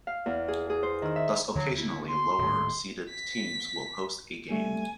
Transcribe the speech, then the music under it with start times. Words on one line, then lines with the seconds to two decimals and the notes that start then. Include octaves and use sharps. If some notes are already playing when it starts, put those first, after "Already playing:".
Thus, occasionally, lower seeded teams will host a game.
0.07 F5
0.26 E2
0.48 G#4
0.70 G#4
0.83 C5
1.02 D#3
1.16 E5
1.55 D2 D3 E3 F#3
1.76 D2 E4
2.08 C6
2.38 D#1 A2
3.10 B6
4.51 G3 A3 G#5